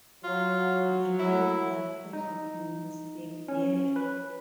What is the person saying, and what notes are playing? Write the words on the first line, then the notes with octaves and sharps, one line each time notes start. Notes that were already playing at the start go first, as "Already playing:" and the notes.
The low blood pressure can be severe.
F#3 F4
E4
D#4
C#4
B4